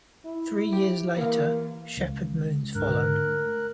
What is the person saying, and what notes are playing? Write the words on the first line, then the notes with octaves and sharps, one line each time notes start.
Three years later, "Shepherd Moons" followed.
E4
G4
E3 A#3 F5
C#2
G#2 D3 A#4 F#6
A3